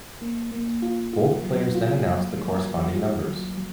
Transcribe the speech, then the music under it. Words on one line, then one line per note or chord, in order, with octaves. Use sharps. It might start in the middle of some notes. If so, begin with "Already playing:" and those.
Both players then announce the corresponding numbers.
A#3
A#3
F4
F4
F#3
F4
F#3
F#3
F#3
F4
F#3
F#3